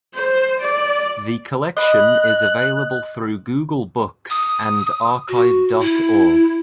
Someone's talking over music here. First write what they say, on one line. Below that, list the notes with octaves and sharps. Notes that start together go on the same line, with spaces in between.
The collection is available through Google Books and archive dot org.
C5
D5
D#5 B5 F#6
D#6
F#4
E4